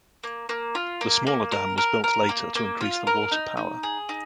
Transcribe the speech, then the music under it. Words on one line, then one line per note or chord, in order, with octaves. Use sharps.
The smaller dam was built later to increase the water power.
A#3
A#3
F4
A#3
A#3
A#4
A#4
A#4
A#3
A#3
F4
A#4
D#4
D#4
G#4
D#4